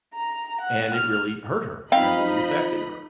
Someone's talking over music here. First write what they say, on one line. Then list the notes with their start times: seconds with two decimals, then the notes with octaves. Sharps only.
and it really hurt her, and it really affected her,
0.15 A#5
0.61 F#5
0.95 F6
1.92 F3 C4 D#4 D#5 F5 G5 B5